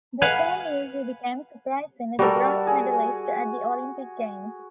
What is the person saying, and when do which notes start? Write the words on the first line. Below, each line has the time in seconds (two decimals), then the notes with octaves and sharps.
The same year he became, surprisingly, the bronze medallist at the Olympic Games.
0.22 B4 F5 F#5 G#5
2.19 G3 F#4 A4 A#4
2.67 G#4